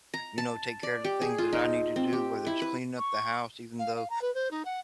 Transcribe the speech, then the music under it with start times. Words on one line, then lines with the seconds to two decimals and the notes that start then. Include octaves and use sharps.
you know, take care of the things that I need to do, whether it's cleaning up the house, even though
0.14 A#5
0.38 A5
0.83 D5
1.04 G4
1.22 G#4
1.38 F4
1.53 D#4
1.96 C4
2.13 G4
2.46 E4
2.62 B4
2.99 C#6
3.78 F5
3.95 F5
4.09 A#5
4.21 B4
4.34 C5
4.50 D#4
4.65 F#5